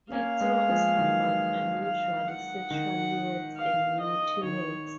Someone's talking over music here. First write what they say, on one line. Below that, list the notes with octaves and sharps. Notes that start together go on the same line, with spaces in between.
He talks about unusual sexual words and naughty words.
A#3 C#4 F5
G#3 B3
F3 G#3
D#3 F#3
F5
F#5
D#3
F5
D#5
D#3 C#5